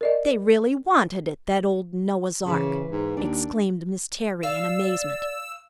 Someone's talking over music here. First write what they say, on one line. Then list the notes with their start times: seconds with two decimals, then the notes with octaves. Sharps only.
"They really wanted it, that old Noah's ark!" exclaimed Miss Terry in amazement.
0.01 A#4 D5 D#5
2.46 C#3 E3 B4 C5
2.92 G#2
3.17 D#2 D4
4.43 D5 F5 E6